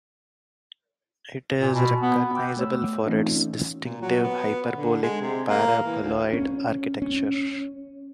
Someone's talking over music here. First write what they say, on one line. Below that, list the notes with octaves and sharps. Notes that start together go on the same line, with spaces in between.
It is recognizable for its distinctive hyperbolic paraboloid architecture.
A#2
B2
B3
G5 D6 E6 F#6 G6
A3 C#5 E6
E3 A3 C4 C#4 D#4 F4
A#2
F#3
B3
D3
G#3
C3
A#3
E3
D2
C#4
C#4